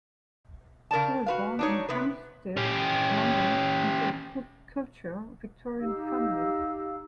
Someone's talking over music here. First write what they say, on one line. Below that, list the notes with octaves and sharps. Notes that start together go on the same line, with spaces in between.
She was born in Hampstead, London, into a cultured Victorian family.
C#3 A#4 D5 A5
F#4 B4 F5
D4 D#4 C#5
C3 B3 B4
C#4 G4
D#4 G4 F5 E6